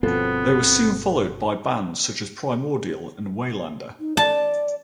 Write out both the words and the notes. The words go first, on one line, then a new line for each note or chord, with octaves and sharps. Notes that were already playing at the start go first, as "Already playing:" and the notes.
They were soon followed by bands such as Primordial and Waylander.
G1 B2 F3 B3 C4 A4
D#4
D5 A5